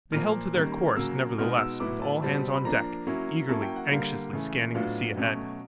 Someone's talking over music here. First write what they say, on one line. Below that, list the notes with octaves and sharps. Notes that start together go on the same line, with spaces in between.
They held to their course, nevertheless, with all hands on deck, eagerly, anxiously scanning the sea ahead.
A#2 F3 A#3 F6
D#3 G3 A#3 C#4
C#3 F#3 A#3 E6
B2 G#3 B3 D#4 F6
E6
A2 F#3 B3 E4 D6
A5
B2 G3 C4 A5
B5
F3 A#3 D4 A#5
F#3 A#3 C#4 E4
F#3 A#3 C#4 E4 A5
G5
F#5
D3 G3 A#3 F5
C#3 E3 A3
A2 F#3 B3 D4 F4 F5
B2 F#3 A3 C#4